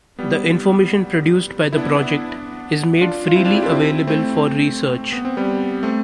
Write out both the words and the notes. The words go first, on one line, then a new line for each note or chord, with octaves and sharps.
The information produced by the project is made freely available for research.
G3 B3
E4
B3 D4
B3 D4
D4 F4
F4
C4 E4
D4 F4
E4 G4
D4 F4
C4 E4
A3 C4
B3
C4
G3 B3
A3 C4